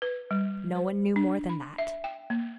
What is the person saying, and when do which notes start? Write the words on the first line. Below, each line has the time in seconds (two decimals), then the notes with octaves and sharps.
No one knew more than that.
0.02 B4
0.31 G3
0.75 C5
1.16 D4
1.49 B5
1.78 E5
2.04 G5
2.30 A#3